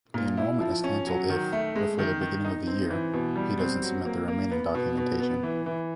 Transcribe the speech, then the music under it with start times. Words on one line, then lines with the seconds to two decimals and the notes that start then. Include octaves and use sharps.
The enrollment is cancelled if, before the beginning of the year, he doesn’t submit the remaining documentation.
0.14 A#2
0.37 E4
0.60 F3
0.84 C#4
1.07 F#3
1.30 D#3
1.52 A3
1.75 G#3
1.99 D#3
2.21 D#3
2.44 D#4
2.67 C4
2.90 E3
3.13 B2
3.36 G3
3.59 C4
3.82 F#3
4.05 A#3
4.28 A#3
4.51 B3
4.75 B2
4.97 B2
5.20 B3
5.43 E3
5.66 E3